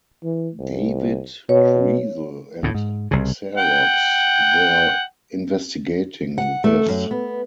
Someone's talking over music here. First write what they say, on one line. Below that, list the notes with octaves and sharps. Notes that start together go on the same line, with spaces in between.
David Kriesel and Xerox were investigating this.
E3
C2
B2 C#5
D2 A2
G#2
C2 C#3
F#5 G5
F#5
A3
F#2
B3